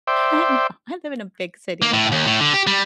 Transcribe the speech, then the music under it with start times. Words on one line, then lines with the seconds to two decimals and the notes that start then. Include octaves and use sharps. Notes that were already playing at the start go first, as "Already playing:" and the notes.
No, I live in a big city, and I thought,
0.07 C5 D5 E5 G5
1.82 A#3
1.94 A2
2.12 D#2
2.26 A2
2.40 D3
2.53 G4
2.67 G3